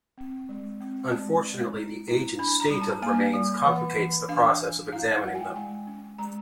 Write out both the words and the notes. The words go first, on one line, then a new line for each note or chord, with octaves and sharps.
Unfortunately the age and state of the remains complicates the process of examining them.
C4
G#3
C4
G#3 A5
G#3
E4
E4
D4 B5
A#5
G3
A5
A#3 G#5
G3
E3 F#5
E3
D4 F5
D4
E4 F5
F5
G#3 F#5
G#5
G5
G#3 G#5
C#4
G#3 A#5